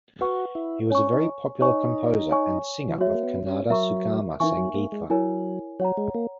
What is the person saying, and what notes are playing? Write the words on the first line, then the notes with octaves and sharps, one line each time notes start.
He was a very popular composer and singer of Kannada Sugama Sangeetha.
F#4 B4 F#5 C#6
E4
C#4 C#5 G#5 C#6
D#4
D#4 C#5 G#5 C#6
C#5 G#5 C#6
E3
F#3 F#4 C#5 E5
G#3
A#3
B3
C#4
F#3 A#4 E5 A#5 C#6
E3 D#4 A#4 E5 G#5 C#6
F#3
A#3
G#3
F#3 E4 A#4 C#5 G#5
F#3 C#5 F#5 A#5
G#3
A#3